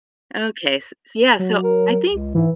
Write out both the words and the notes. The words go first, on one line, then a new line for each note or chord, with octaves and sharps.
Okay, s so, yeah, so I think
F#3
A#4
C#2
G#2 E3